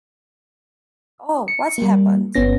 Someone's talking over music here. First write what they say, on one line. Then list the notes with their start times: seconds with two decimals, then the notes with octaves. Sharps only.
Oh, what's happened?
1.48 C#7
1.78 G3 A#3
2.35 G1 B3 C#4 A#6